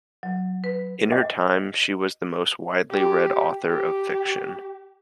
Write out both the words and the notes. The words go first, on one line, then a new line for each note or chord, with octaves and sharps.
In her time, she was the most widely read author of fiction.
F#3
B4
D#5
G4
G4